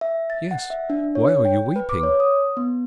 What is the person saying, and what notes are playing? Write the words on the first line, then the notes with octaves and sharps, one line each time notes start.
'Yes, why are you weeping?'
E5
A6
F#5
E5
D4
C#5
G5
B4
D6
C#5
D#6
B3